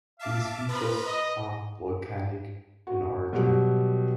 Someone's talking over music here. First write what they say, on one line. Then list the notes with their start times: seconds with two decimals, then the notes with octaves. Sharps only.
These features are volcanic in origin.
0.19 E5 F5 A5 D6
0.68 F3 B4 A#5 B5
1.07 D#5
2.87 F#4
3.33 B2 F#3 G3 F#4 G4